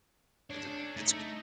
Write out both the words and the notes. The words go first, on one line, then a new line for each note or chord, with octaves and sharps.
Is it it's
G#3 D4 C#5
A3 D#4